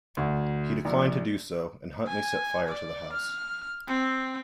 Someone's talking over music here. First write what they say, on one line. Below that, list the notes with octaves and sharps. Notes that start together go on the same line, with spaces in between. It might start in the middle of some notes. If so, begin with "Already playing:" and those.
He declined to do so, and Huntly set fire to the house.
D2
A#1
G#5
D5
F6
C4